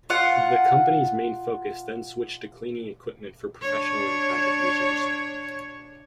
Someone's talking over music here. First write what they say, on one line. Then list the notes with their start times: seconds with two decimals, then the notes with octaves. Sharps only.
The company's main focus then switched to cleaning equipment for professional and private users.
0.10 F4 F#5
3.61 D4 C#5